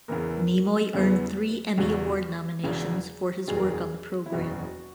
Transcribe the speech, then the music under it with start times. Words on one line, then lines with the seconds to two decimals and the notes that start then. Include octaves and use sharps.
Nimoy earned three Emmy Award nominations for his work on the program.
0.08 E2 C#3 E3 B3 A#4
0.94 E2 C#3 E3 B3
1.77 E1 E2 C#3 F#4
2.63 E1 E2 C#3
3.48 F#1 E2 B2 G#4
3.57 A#4
3.67 G#4
4.26 E4
4.32 F#1 E2 B2 F#4